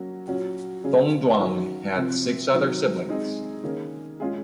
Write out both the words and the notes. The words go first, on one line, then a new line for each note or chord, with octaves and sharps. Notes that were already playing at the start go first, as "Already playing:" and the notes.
Thongduang had six other siblings.
Already playing: F#3 A#3 C#4 F#4
A#2 F#3 C#4 F#4
C#3 F#3 C#4 G#4
D#3 F#3 C#4 F#4
C3 F3 C4
C3 D#3 F#3
G#3 C4 D#4 G#4
D#3 A#3 C#4 G#4
A#2 G#3 C#4 F4 G#4